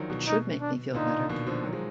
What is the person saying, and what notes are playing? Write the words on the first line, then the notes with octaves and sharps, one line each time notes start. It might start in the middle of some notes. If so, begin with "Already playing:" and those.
It should make me feel better.
Already playing: D3 D#3 F3 F#3
B2
B2 D#4
D4
A#2 D3 D#4
B2 D#3
D3 F3
D#3 F#3
F3 G#3